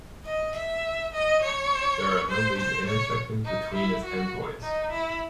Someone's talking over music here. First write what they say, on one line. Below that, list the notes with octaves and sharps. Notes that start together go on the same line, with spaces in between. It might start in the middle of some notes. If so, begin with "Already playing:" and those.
There are no major intersections between its endpoints.
D#5
E5
D#5
C#5
C5
C5
C#5
D#4
E4
F#4
D#4
E4